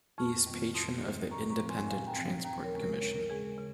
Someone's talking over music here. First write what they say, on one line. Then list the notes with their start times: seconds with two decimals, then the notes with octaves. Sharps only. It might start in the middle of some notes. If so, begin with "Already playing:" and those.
He is Patron of the Independent Transport Commission.
0.18 F2 C#6 F6
0.46 D#3 G3 C4
0.74 F2 C6 D#6
1.03 D#3 G3 C4
1.31 A#2 A#5 C#6
1.50 A#5 C#6
1.59 F3 C4
1.69 G#5 C6
1.87 A#2 F5 G#5
2.07 G5 A#5
2.16 F3 C4
2.44 D#2 G5 A#5
2.63 A#4 C#5
2.73 C#3 G#3 C#4
2.82 A#4
3.00 D#2 A#4 C#5
3.16 A#4
3.29 C#3 G#3 C#4 G#4
3.44 A#4
3.58 C#3